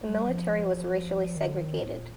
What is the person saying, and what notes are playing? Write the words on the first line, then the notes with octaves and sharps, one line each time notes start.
The military was racially segregated.
G3
F3
D#3
D3
D#3
A2
A#2